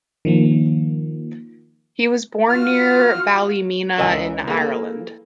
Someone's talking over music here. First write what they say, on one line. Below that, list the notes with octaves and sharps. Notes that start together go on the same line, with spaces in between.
He was born near Ballymena in Ireland.
D#3 F3 A#3
F4 F#4 F6
C#2 E3 A#4 D#5 E5 G#5
E3 A#3 G#4 A4